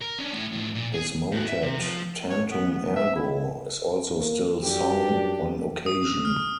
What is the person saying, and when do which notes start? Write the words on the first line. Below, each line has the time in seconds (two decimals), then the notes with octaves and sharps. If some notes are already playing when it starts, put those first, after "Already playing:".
His motet "Tantum ergo" is also still sung on occasion.
0.01 A#4
0.19 C#4 D4
0.33 A2
0.53 A2 F3
0.74 A#2
0.94 G#4
1.32 A2 F#4
1.48 E5
1.63 C3
1.81 F3
2.30 C#5
2.51 B3
2.71 B3
2.96 E5
3.16 E4
4.16 A#3
4.62 F#2 D4 G4
5.86 D#6
6.25 F6